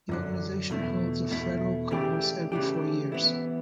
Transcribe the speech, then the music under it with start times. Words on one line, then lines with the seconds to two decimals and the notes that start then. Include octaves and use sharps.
The organisation holds a federal congress every four years.
0.09 F#2 D3 F#3
0.70 E2 B2 A3 E4
1.30 E2 B2 A3 E4
1.91 C#3 E3 A3 D4 G4
2.52 C#3 E3 A3 D4 G4
3.12 E3 B3 E4